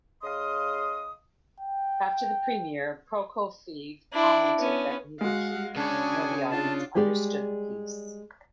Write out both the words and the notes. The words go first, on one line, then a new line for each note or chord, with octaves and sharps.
After the premiere, Prokofiev commented that neither he nor the audience understood the piece.
C#3 D#5 F5 C6 D#6
G5
D4 E4
B3 C#4
G#3 F#4 F5 F#5
C#3 D4 C#5 G#5
D4 F4 A5
G3 G#3 G4 G#4 D5